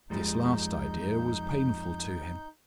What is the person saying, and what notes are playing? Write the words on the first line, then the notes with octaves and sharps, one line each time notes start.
This last idea was painful to him.
F2 G3 G#3 D#4 G6